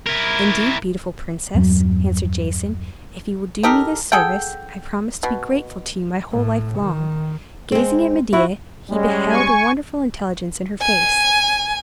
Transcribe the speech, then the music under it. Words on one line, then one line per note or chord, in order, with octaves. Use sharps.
"Indeed, beautiful princess," answered Jason, "if you will do me this service, I promise to be grateful to you my whole life long."' Gazing at Medea, he beheld a wonderful intelligence in her face.
E4 A#4
E2 G2 F#3
D#4 G4 A4 A#4
G#4 A4 F#5 G5
B2
A2
D#3
G#3 C4
E4 F#4
G3 G#3 C#4
G#5 C#6
G#5